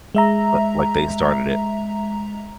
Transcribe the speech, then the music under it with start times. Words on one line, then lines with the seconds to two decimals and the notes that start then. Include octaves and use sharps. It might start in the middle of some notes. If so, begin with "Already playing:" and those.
But, like, they started it.
0.15 G#3 E5 A#5